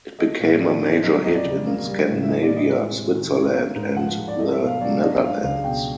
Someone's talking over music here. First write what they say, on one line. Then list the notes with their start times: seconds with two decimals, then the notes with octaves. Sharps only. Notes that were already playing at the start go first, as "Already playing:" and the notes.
It became a major hit in Scandinavia, Switzerland and the Netherlands.
0.19 A3 D#5
0.40 A2
0.61 F3 D5
0.83 C4
1.02 F#3 D#5
1.24 F2 D#5
1.35 D5
1.45 C#3
1.66 A#3
1.87 G3
2.08 A2
2.23 E5
2.28 E3 D#5
2.43 D5
2.50 A2
2.57 D#5
2.70 G#3 E5
2.92 C3
3.13 D#3
3.33 C#4
3.55 A#3
3.76 G#2
3.96 F3 F#5
4.18 G#2
4.28 D5
4.39 A3 D#5
4.52 E5
4.60 B2
4.66 F5
4.81 F#3 D5
5.01 D4 D#5
5.23 G#3 F5
5.43 C#2 F5
5.64 B2 G5